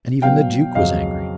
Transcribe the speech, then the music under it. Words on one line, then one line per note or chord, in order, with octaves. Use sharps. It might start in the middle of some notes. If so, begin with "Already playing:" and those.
And even the Duke was angry.
B2 F#3 B3 F5 G5
F2 C#3 F#3 D#5 F5